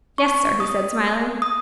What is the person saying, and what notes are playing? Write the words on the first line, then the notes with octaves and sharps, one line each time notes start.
"Yes, sir," he said smiling.
C#6
D#6
D#6